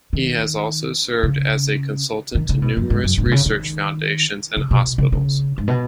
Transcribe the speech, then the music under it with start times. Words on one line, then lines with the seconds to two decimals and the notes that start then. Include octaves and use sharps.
He has also served as a consultant to numerous research foundations and hospitals.
0.13 D#3
1.23 C#3
2.35 D#3
2.49 C#3
2.62 B2
2.77 F#2
2.90 G#2
3.04 F#2
3.18 G#2
3.26 B2
3.31 C#3
3.46 D#3
4.57 C#3
4.71 B2
4.98 C#3
5.12 C#3
5.58 G#2
5.68 B2